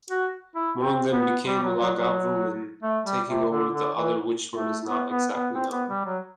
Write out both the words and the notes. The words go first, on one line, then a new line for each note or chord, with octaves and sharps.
One of them became Lagavulin, taking over the other-which one is not exactly known.
F#4
E4
C4
B3
G3
F#3
F#3
F#3
A3
G3
C3
D3
D3
E3
A3
B3
B3
B3
C4
B3
G3
F#3